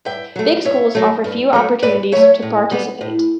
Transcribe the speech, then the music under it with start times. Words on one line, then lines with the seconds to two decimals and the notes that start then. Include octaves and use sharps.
Big schools offer few opportunities to participate.
0.05 G2 E5 G5
0.36 F#3 A3
0.65 G2 C#5 E5
0.95 F#3 A3
1.24 G2
1.53 F#3 A3
1.83 G2 B4 D5
2.12 F#3 A3 C#5 E5
2.42 A2
2.71 G3 B3
3.01 A2